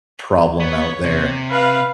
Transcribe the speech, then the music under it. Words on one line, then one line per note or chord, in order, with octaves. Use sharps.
problem out there.
B3 C#5
C3
B4 F5